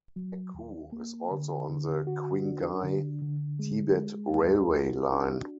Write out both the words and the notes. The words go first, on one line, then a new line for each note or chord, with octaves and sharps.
Nagqu is also on the Qinghai-Tibet railway line.
F#3
D#2
A#3
D3
D3
F#4
D4
D3
D3
G#3
G#3
D2
F#4
D4